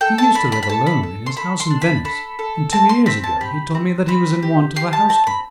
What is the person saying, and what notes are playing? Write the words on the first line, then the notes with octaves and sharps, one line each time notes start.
He used to live alone in his house in Venice, and two years ago he told me that he was in want of a housekeeper.
A4 G5
A5
D4 B5
B5
B5
A4 A5
B5
A4
C6
A4 B5
C6
D4
B5
A4 B5
A4
C4 A5
C6
C4 B5
A5
G4 B5
C4
C4 B5
G4
G4 C6
A5
C4 A5
B5